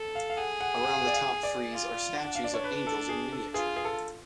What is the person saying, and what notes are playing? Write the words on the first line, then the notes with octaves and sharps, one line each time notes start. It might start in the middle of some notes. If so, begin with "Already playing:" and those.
Around the top frieze are statues of angels in miniature.
Already playing: A4
F5
F5
G#4 F#5
F#5
F#5
F5
F#5
D5
F5
D5
F4
D4
F#5
F5
D5
C#5
B4
A4
G#4
A4
F4 G#4
G#4
A4